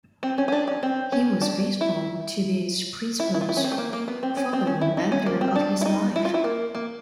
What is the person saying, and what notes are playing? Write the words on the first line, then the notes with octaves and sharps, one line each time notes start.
He was faithful to these principles for the remainder of his life.
C4
C#4
C#4
D4
C#4
C4
C#4
D4
E4
E4
E4
F4
E4
C#4
C4
A3
A#3
A#3
B3
C4
C#4
C4
C#4
E4
D#4
C#4
A#3
C4
D4
E4
D#4
E4
F4
E4
A#3
A#3